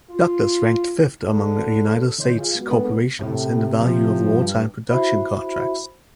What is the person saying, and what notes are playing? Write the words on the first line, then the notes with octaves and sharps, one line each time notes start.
Douglas ranked fifth among United States corporations in the value of wartime production contracts.
F4
D3
D3 E3 C#5 D#5 C6 G6
F4 G#4 F5
G#3 B3 F#4
G#3 A#3 B3 D4 A4
A2 C3
F3
G2
E4 F#4 C5 E5 B5